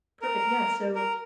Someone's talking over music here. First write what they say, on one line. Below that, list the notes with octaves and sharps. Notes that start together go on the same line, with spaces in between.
Perfect, yeah, so,
A#4
A#4